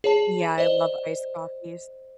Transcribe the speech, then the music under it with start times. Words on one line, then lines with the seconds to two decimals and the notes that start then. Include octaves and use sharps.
Yeah, I love iced coffees.
0.04 G#4 C#5 A5
0.58 C5 D5 D#5